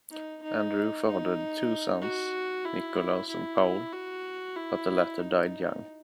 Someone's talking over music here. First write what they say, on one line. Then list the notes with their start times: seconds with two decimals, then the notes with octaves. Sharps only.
Andrew fathered two sons, Nicholas and Paul, but the latter died young.
0.11 D#4
0.43 D#4
1.07 D#4
2.02 F#4
2.65 E4
3.29 E4
3.93 F#4
4.56 E4
5.20 D#4